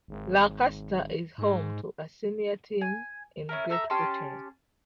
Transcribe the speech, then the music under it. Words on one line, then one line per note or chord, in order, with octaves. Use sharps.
Lancaster is home to a senior team in Great Britain.
G#1
G#2
G#5
C#4 E4 A#4
A3 E5 A#5
C#4 G4 A5 C6